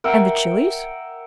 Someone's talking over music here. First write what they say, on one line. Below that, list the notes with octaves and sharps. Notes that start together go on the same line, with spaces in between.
"And the chilis?"
A#4 E5 F#5 G5